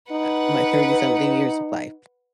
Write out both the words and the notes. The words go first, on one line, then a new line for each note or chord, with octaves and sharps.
uh, my thirty-something years of life.
D#4 B4 F#5